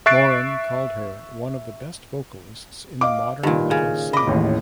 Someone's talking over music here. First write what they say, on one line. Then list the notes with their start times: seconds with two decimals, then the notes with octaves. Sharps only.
Morin called her "one of the best vocalists in the modern metal scene".
0.06 E5 C#6 F#6 A6 C7 D7
3.01 D#5 F5 D6
3.43 G2 A#2 D#3
3.71 C#3
4.13 D#5 B5 D6
4.27 A1 D#2 A2